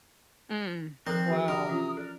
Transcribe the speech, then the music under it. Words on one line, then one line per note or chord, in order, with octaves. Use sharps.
Mm, wow.
D#3 F3 C4 A4
F#4 G#4 A4 B4
C3 D4 A#4 G5 D#6
E3 C#4 F4
A4 D5